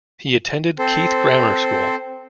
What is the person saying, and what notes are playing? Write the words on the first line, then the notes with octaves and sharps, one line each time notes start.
He attended Keith Grammar School.
C4 A4 C5